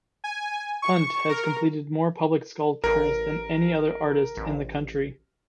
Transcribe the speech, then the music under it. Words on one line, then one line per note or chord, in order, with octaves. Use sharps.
Hunt has completed more public sculptures than any other artist in the country.
G#5
C#6
A#4
A1 A#4
A1